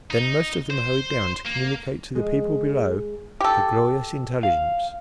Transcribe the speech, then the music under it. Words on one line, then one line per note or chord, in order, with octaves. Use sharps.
Then most of them hurried down to communicate to the people below the glorious intelligence.
D#4
C5
A#3
G#3
G4 A4
F5